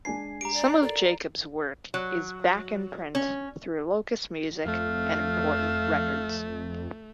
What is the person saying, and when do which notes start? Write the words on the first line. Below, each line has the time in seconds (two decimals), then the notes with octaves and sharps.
Some of Jacobs' work is back in print through Locust Music and Important Records.
0.05 G#3 D4 G#5 C7
0.41 G4 A#5 D7
0.54 D5
0.83 A4 A#4 D5
1.94 F#3
3.15 C#4
4.66 F2 A3 F5